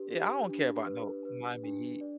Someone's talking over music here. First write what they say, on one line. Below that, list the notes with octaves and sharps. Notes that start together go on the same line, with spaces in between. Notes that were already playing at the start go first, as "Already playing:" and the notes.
Yeah, I don't care about no Miami Heat.
Already playing: D4 G4 B4
G4
D4
B4
B4
D4
D5